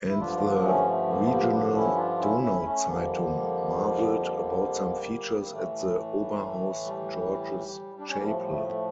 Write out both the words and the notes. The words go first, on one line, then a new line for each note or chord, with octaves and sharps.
And the regional "Donauzeitung" marveled about some features at the Oberhaus George's Chapel.
E4
G2 D3 F3 D4 F4
A#3 D4
A3 C#4
A3
G3 A#3
A3
G3 A#3
A#3 D4
C#4 E4
D4 F4
C#4 E4
C#4 E4
A3 C#4
F2 D3 F3 G3 A#3
G3 A#3
A#3
A2 E3 A3
G3
D4
C#4
A2 F3 A#3
A3
G3
A3
A3